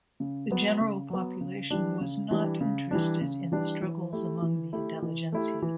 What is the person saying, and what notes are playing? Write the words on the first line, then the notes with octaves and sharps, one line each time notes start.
The general population was not interested in the struggles among the intelligentsia.
C#3
F#3 B3
C#3
F#3 B3
C#3
E3 G3 D4
C#3
E3 G3 D4
C#3
E3 G3 D4
C#3
E3 G3 D4
E3
A3 E4 G4
E3
A3 E4 G4
E3
A3 E4 G4
E3